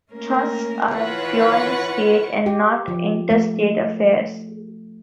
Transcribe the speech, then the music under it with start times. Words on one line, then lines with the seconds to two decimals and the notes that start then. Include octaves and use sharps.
Trusts are purely state, and not interstate affairs.
0.11 A3 A#3 C#4 A#4
0.92 E3 F4 B4 C#5 F#5 C#6
2.46 G4
2.88 F3
3.30 A3